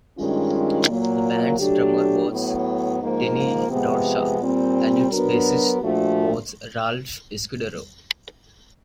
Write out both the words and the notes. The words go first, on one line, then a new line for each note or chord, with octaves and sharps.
The band's drummer was Tiny Bradshaw and its bassist was Ralph Escudero.
G2 D#3 G#3 C#4 F4
A#2 F#3 A#3
F#3 A3 D4 G4
A2 F#3 B3
G#2 F3 A#3
C3 F3 G#3 B3
A#2 G3 C4
F#3 B3 D4 F#4 A#4
A#2 F3 A3 D4 F#4